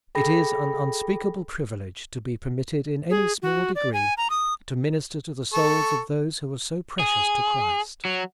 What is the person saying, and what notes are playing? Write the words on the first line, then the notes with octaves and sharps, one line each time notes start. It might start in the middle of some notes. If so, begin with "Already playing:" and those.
It is an unspeakable privilege to be permitted in any small degree to minister to the souls of those who are so precious to Christ.
G#4 A4 G5 B5 A#6
G#4
F#4
D5
G#5
A#5
D#6
A4 C#6
G#4
F#3